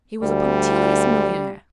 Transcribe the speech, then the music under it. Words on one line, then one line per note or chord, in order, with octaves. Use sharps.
He was a punctilious millionaire.
D2 G3